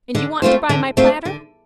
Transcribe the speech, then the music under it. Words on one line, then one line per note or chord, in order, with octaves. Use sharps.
And you want to buy my platter.
D3
A3 C4 F4 C5
D3
A3 C4 F4 C5
D3